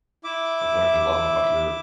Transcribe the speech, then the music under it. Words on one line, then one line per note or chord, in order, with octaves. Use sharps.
I've learned a lot about your
E4 E5 D6